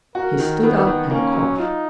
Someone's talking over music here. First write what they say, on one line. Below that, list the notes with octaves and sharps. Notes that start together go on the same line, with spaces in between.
He stood up and coughed.
F#4 A#4
D#3
D#3 B3
D#3
A#3 C#4
F#3
D#4 F4